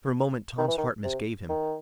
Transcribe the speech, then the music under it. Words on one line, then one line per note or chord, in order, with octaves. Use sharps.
For a moment Tom's heart misgave him.
D#3
E3
D#3
C3
D#3